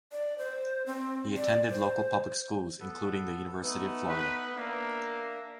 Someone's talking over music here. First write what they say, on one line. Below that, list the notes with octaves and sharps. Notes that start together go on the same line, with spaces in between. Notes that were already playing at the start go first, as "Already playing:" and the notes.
He attended local public schools including the University of Florida.
D5
C5
C4
D5
C5
B3 A4 B4
A3 B3 D#4 E6
B4
A#3 D4 A#4 E5